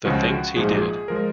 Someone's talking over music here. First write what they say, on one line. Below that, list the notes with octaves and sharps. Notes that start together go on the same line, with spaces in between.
The things he did.
C#2 C#3 F3 G#3 F#4
A#1 G#2 F3 G#4
F3 G#3 A#4